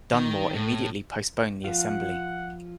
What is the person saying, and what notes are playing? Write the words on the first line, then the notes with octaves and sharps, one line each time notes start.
Dunmore immediately postponed the Assembly.
D#3
A2
F3 F4 F#5